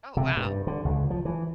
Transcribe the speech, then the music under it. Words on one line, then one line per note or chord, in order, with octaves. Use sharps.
Oh, wow.
C3
G2
D3
C#2
F3
E3